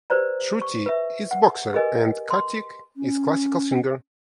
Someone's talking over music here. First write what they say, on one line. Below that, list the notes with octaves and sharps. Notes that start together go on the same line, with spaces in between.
Shruti is boxer and Kartik is classical singer.
G4 B4 C5 D5 A#5
C#6
B4 E5
F#5
G4 G#4 A#4 B4 D#5 G#5
C6
C#4